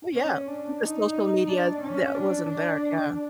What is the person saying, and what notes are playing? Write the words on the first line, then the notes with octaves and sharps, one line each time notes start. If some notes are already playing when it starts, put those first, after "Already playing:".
Oh, yeah. The social media that wasn't there, yeah.
C#4
D4
D#4
D4
C#4
D4
D4